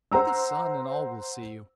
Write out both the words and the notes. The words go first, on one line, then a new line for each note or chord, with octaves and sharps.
Be the sun and all will see you.
C5 F#5 A#5 E6